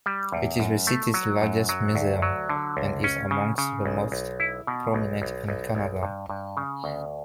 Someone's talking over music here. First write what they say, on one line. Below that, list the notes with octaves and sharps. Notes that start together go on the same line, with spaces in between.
It is the city's largest museum and is amongst the most prominent in Canada.
G3
E2
F#2
A3
F#3
F#2
F#3
D2
F#3
D3
C#2
C#4
C#3
C#3
B1
B1
E4
B2
B1
B1
B1
B1
G2
G2
C#3
D2